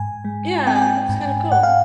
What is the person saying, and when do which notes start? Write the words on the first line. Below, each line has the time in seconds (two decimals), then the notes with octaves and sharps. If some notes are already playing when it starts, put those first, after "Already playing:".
Yeah, that's kind of cool.
Already playing: G#2 G#5
0.25 G#3
0.67 C4 G5
0.75 G#5
0.82 G5
1.09 G#2
1.52 G#2 F#5
1.63 F5